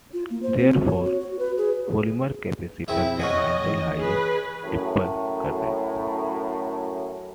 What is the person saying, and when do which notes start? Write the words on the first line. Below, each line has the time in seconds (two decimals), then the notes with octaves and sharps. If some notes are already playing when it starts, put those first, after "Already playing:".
Therefore, polymer capacitors can handle higher ripple current.
0.13 F4
0.30 A#3
0.43 C5
0.58 C4
0.73 F#4
0.86 C#5
1.05 F#4
1.20 F#4
1.39 B4
1.57 G#4
2.88 B1 F2 C4 E4 G#4 E5
3.20 C#4 D#5 F#5 G#5
3.60 F#1 E3 D#5
3.98 G#4 B4
4.65 F#2 A2